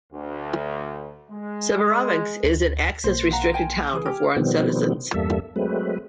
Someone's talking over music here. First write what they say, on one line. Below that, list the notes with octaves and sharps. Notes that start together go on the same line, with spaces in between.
Severodvinsk is an access-restricted town for foreign citizens.
D2
G#3
D2
B1 A#3 C5 C6
F5 F#5 A#5
A#4 G5 G#5
E3 G#4 B4 G#5
G4 G#5 F6
B2 D#3 F3 G3 B3 C4
E2 G2 G3 A#3 A4 E5
F#3 G#3 A3 C4 B4